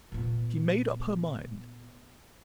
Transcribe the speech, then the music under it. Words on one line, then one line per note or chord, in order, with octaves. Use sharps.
She made up her mind.
A#2 B3